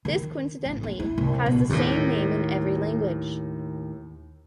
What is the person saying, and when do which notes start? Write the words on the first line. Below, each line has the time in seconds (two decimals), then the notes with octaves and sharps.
This coincidentally has the same name in every language.
0.05 D#3
0.65 A1
0.83 D#4
1.00 E4
1.18 C2
1.46 B2
1.70 D#2 A2